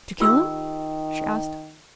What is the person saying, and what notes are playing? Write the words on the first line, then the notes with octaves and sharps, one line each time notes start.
"Did you kill him?" she asked.
D#3 F4 G4 E6